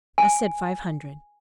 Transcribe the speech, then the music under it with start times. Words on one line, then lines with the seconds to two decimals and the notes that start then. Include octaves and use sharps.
"I said five hundred."
0.18 G#5